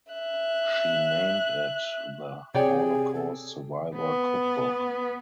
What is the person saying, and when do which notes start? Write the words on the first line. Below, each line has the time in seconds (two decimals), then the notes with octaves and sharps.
She named it The Holocaust Survivor Cookbook.
0.12 E5 F#6
2.55 C3 G#4 C#5 D5 G5
3.15 A4
3.97 B3